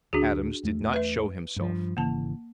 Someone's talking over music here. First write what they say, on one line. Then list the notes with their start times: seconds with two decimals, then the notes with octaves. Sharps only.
Adams did not show himself.
0.13 D2 D4 F#4 G#4
0.63 E2 A3
0.94 B4 E5
1.56 G2 F3
1.97 G#1 C#3 E3 A#3 A5